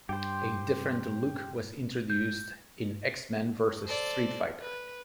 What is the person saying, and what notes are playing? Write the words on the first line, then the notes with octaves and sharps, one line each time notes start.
A different look was introduced in "X-Men versus Street Fighter".
G2 G4 C5
G6
A4 C5 D5
B4